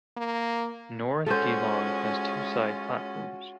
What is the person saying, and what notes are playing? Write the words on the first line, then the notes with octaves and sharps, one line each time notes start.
North Geelong has two side platforms.
A#3
G#3 C#4 F4 F#4 A4 C5